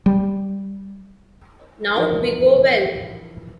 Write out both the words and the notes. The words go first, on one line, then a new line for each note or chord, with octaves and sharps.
Now we go well!
G3
E3 F3 D4 D#4 F#4 A#4